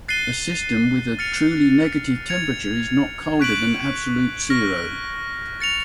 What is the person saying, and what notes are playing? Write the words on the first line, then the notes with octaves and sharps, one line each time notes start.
A system with a truly negative temperature is not colder than absolute zero.
F#6 A6 C7 D#7 G7
F6 A6 C#7 F7
G#6 C#7 F7
C#6 F#6 B6 D7 F#7
C#6 F6 A#6
A6 C#7 F7